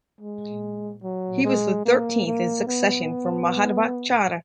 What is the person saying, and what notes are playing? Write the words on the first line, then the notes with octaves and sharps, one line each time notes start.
He was the thirteenth in succession from Madhvacharya.
G#3
F#3
G#3
A#3
A#3
B3